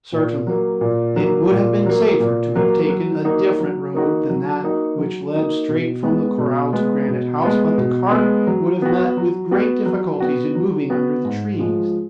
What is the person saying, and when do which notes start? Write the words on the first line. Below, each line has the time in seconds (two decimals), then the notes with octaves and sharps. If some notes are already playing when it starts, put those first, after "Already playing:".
Certainly, it would have been safer to have taken a different road than that which led straight from the corral to Granite House, but the cart would have met with great difficulties in moving under the trees.
0.12 A#2
0.47 F#3 A#3
0.81 A#2
1.16 F#3 A#3
1.51 A#2
1.86 F#3 A#3
2.20 A#2
2.56 F#3 A#3
2.90 F#3
3.25 A#3 D#4 F#4
3.60 F#3
3.94 A#3 D#4 F#4
4.30 F#3
4.63 A#3 D#4 F#4
4.98 F#3
5.34 A#3 D#4 F#4
5.69 B2
6.03 G#3 B3
6.38 B2
6.73 G#3 B3
7.08 B2
7.43 G#3 B3
7.78 B2
8.12 G#3 B3
8.47 F#3
8.82 B3 F#4
9.17 F#3
9.51 B3 F#4
9.86 F#3
10.20 B3 F#4
10.55 F#3
10.90 B3 F#4
11.25 G#2
11.59 F3 G#3